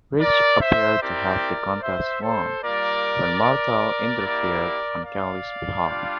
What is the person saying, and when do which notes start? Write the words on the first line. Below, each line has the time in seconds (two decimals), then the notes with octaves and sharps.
Rich appeared to have the contest won, when Martel interfered on Kelly's behalf.
0.20 A#4 D5
0.61 C5 E5
1.01 C4 E4 G4 A#4 D5
1.82 C5 E5
2.22 A4 C5
2.62 G3 A#3 F4 A#4 D5
4.23 A#3 E4 G4
5.03 D5 F5
5.84 G3 D4 F4